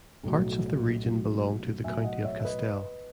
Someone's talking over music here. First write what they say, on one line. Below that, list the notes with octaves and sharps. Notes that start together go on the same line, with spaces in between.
Parts of the region belonged to the county of Castell.
B1 A2 F#3
B1 A2 F#3
B1 A2 F#3 E5 G#5
D#5 F#5
C#5 E5
E5
B4 D#5